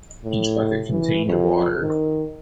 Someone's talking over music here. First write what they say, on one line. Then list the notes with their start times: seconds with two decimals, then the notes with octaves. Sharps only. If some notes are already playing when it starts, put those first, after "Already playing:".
Each bucket contained of water.
0.24 A2
0.89 E3
1.26 F2
1.81 D#3